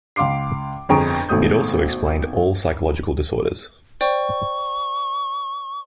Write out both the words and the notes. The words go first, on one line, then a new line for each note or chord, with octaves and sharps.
It also explained all psychological disorders.
C#2 F5 C6 D6 C7
G1 F2 G#4 A#5 C#6 D7
G#1 B2 A3 D#6 G6
C5 D5 G5 C#6